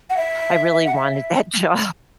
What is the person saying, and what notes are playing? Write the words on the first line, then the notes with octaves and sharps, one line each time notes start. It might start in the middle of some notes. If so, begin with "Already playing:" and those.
"I really wanted that job,"
F#5
E5
F#5
E5